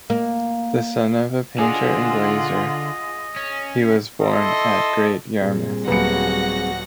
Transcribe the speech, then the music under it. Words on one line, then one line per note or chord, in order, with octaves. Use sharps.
The son of a painter and glazier, he was born at Great Yarmouth.
A#3
D3 F4 G#4 D#5 F#5
C#4
E4 A4 D#5 C6
A#2 G3 C4 G#4
D#1 F#3 F#4 B4 F#5 A#6 C#7